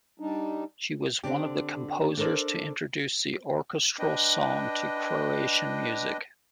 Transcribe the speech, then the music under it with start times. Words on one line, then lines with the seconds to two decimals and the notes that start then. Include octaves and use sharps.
She was one of the composers to introduce the orchestral song to Croatian music.
0.20 G3 D4 D#4
1.23 D3 C4 D4 G4
2.17 D4 A4 A#4 C5 D5
3.99 D4 B4 D#5 G5